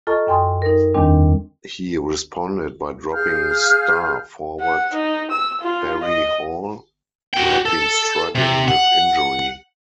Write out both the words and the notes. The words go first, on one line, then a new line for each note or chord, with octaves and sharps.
He responded by dropping star forward Barry Hall, who had been struggling with injury.
F4 A4 D#5 A5 A#5 C#6
F#2 G5 G#5 C6 D#6
D#4 A#4
E2 D#3 G3 C4 D4
G#4 F5 F6 G6
F#5
D#4
E6
F4
D#5
F#4 G5
A4
C3
F#5